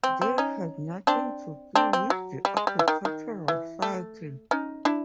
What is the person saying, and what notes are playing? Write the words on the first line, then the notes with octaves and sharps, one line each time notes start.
They had nothing to do with the agricultural cycle.
C4
C4
C#4 D#4
C4 D4
C4 D4
C4
F#3
G3
G#3
G3
E3
D#3
D#3
E3
A3
C#4 D#4
D4 E4